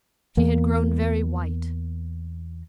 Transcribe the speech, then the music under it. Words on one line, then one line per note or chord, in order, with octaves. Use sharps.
She had grown very white.
E2 A#3